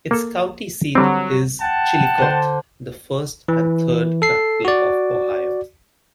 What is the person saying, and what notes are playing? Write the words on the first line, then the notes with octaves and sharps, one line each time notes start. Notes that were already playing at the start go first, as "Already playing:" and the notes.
Its county seat is Chillicothe, the first and third capital of Ohio.
A#3 A4
D3 F#3 G3 C4
F#5 G5 A5
D3 C5
E3
A4 C7
F#4 D5